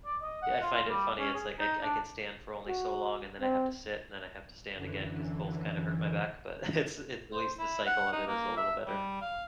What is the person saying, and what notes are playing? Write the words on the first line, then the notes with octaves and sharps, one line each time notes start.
yeah, I find it funny, it's, like, I c I can stand for only so long, and then I have to sit, and then I have to stand again, 'cause both kinda hurt my back, but it's it's at least the cycle of it is a little better.
D5
D#5
F#5
F4
F4
G3
C#4
G#4
D#4
D4
F#4
C4
F#2 D3 E3
C5
E4
F#5
D#4
A#3
E5
G3
F5